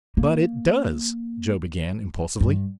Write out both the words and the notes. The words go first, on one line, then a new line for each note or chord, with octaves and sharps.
"But it does"--Joe began, impulsively.
A#3
G2